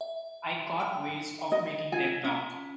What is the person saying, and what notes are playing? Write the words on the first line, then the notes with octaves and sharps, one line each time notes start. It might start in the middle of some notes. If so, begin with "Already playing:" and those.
I got ways of making them talk.
E5
G5
D#5
F4 G#5 G#6
C#4